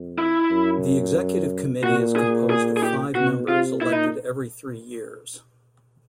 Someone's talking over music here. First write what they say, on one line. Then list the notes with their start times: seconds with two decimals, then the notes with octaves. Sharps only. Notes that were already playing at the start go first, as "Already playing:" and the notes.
The executive committee is composed of five members elected every three years.
Already playing: F2
0.18 E4
0.51 F#2
1.83 A#2 F#4
2.16 G#4
2.50 G#4
2.77 G#4
2.83 G4
3.15 B2 F#4
3.48 C3 F4
3.81 A#2 E4
3.92 D#4